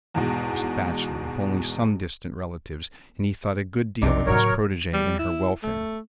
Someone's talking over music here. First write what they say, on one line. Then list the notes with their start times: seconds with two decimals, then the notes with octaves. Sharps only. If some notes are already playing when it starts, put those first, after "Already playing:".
He was a bachelor, with only some distant relatives, and he thought a good deal of his protegee and her welfare.
0.14 E2 G#2 B2
4.02 B1 C3 F3 D4 D#4
4.27 A2 C#3 F#3 A#4 C#5
4.93 G3
5.19 E4
5.63 A3